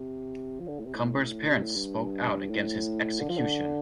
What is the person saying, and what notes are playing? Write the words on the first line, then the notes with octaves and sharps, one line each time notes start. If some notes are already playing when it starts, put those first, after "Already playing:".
Cumbers' parents spoke out against his execution.
Already playing: C3
F3
D3
A2
C3
A2
C3
A2
G2
A2
D3
F3
D3